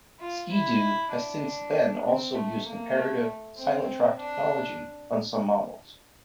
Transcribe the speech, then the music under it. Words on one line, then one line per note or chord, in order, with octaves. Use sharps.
Ski-Doo has since then also used comparative "silent track technology" on some models.
F4
E4
D4
C4
A3
A#3
A3
C4
D4